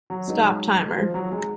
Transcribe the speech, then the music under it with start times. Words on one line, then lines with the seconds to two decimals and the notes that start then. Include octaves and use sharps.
Stop timer.
0.10 F#3
0.28 G#3 D#4 F#4 B4
0.97 F3
1.14 F#3
1.32 G#3